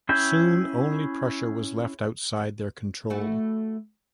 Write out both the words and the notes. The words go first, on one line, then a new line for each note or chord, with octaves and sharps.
Soon only Prussia was left outside their control.
C#4 E4 G#4 E5 G5
A3 E4 F#4